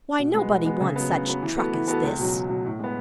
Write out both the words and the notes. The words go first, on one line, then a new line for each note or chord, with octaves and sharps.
Why, nobody wants such truck as this.
B2
G#3 B3
B2
G#3 B3
C#3
F#3 B3
C#3
F#3 B3
E3
B3 F#4 A4
E3
B3 F#4 A4
C#2
B2 F#3
C#2
B2 F#3
A2
G#3 B3